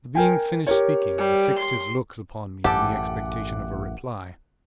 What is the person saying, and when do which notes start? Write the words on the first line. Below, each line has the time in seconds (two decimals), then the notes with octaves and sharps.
The being finished speaking and fixed his looks upon me in the expectation of a reply.
0.15 A#4 G5 G#5
0.67 G4 A#4 C#5
1.18 G3
1.59 C6
2.64 A1 F#2 G4 A4 F#5 D6